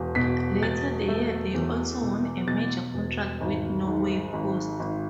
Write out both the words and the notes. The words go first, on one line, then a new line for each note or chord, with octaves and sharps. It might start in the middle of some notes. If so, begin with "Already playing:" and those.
Later the year they also won a major contract with Norway Post.
Already playing: E1
B2 B6
E1 A6
A3
E2
B2
B2 A6
E1
G#1
G#2
G#1
G#1